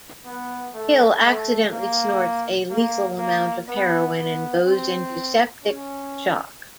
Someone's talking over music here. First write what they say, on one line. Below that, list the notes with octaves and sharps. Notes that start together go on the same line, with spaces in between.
Hill accidentally snorts a lethal amount of heroin and goes into septic shock.
B3
A3
A3
A#3
A#3
A#3
B3
B3
C4
C#4